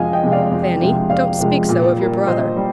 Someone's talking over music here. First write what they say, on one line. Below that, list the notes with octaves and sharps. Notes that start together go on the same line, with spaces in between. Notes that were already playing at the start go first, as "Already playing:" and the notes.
'Fanny, don't speak so of your brother.
Already playing: F2 C3 F3 G#3 D#5 F5 G#5
D#5 G5
C3 F3 G#3
D5 F5
F2
C3 F3 G#3
F2 D5 F5
C3 F3 G#3
A#2
G3 A#3
A#2 C5 D#5
G3